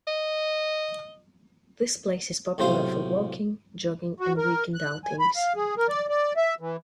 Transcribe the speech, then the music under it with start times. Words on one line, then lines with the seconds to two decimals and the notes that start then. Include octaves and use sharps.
This place is popular for walking, jogging and weekend outings.
0.07 D#5
2.58 B1 A2 C3 F4 C5 F5
4.20 F#4
4.37 A#4
4.74 F#6
5.05 G#5
5.19 B5
5.36 F5
5.56 G#4
5.77 A#4
5.89 D5
6.09 D5
6.37 E5
6.60 E3